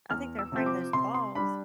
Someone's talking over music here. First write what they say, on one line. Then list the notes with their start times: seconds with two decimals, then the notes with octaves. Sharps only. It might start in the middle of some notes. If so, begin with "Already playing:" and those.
I think they're afraid of those claws.
0.10 E2 F6
0.39 E6
0.52 C3 F3 C4
0.66 D6
0.93 C3 C6
1.15 C6
1.35 G3 D4 B5